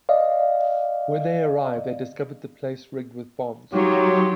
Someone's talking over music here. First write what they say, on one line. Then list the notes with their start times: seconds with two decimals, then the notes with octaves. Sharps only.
When they arrive, they discovered the place rigged with bombs.
0.09 D5 D#5 F5
3.72 F#3 D#4 F4 G4 C#5